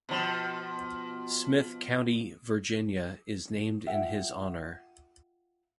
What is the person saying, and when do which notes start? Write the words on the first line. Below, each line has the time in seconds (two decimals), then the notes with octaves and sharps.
Smyth County, Virginia is named in his honor.
0.09 B2 F3
3.87 F4 E5 F#5 G5